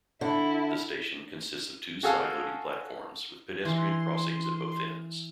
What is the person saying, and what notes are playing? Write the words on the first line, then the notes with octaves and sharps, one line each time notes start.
The station consists of two side-loading platforms with pedestrian crossings at both ends.
D3 E4
F#4 G#4 A4 F5
E3 C6